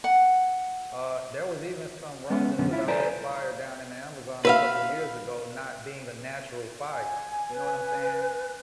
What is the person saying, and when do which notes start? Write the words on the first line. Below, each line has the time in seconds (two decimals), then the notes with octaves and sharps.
uh, there was even some rumblings about that fire down in the Amazon a couple of years ago not being a natural fire, you know what I'm saying?
0.04 F#5
2.30 G#3 B3 C#4
2.58 F#2 B2 D3 B3 C#4
2.71 E4 F4
2.88 A4 B4 C5 D5 G#5 A#5
4.45 B4 E5 F5
6.92 G#5
7.50 B4